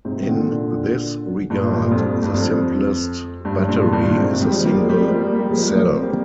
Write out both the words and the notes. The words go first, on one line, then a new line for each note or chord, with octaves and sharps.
In this regard, the simplest "battery" is a single cell.
G#2 C3
D#3
A#2 D3
G2 A#2
G2 A#2
F2
G2
G2
F2
G2
G2 A#2
G2 A#2
G#2 C3
D#3 G3
F3 G#3
G3 A#3
G#3 C4
G3 A#3
F3 G#3
G3 A#3
G3 A#3
G3 A#3
F3 G#3
G3 A#3
F3 G#3
A#3
C4
G3 A#3